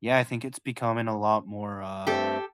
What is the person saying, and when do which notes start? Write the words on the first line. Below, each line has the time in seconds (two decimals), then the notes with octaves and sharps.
Yeah, I think it's becoming a lot more, uh,
2.07 G2 A3 C4 G4 A4